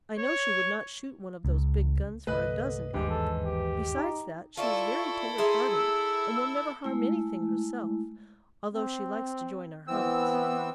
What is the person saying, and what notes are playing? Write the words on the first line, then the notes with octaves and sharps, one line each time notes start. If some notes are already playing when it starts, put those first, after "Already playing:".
I know she would not shoot one of those big guns for a dozen elk; besides that, she is very tender-hearted and will never harm anything herself, although she likes to join our hunts.
C#5
C#2
C2 G2 D3 A3 B4 D#5 F#6
G1 D#2 G#2 D3 E3 G4
A4
G4
D#4
E4 F4 A4 D5 E5 C#6
G#4 E5 A#5 C6
E6
G#3 A3 E4
C4
E3 B3 C4 E6